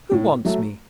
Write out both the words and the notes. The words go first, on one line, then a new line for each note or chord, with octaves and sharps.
"Who wants me?"
A2
F#3 A3